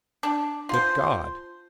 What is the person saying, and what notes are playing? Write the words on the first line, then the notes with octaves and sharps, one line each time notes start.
"Good God!"
D4
F4 C5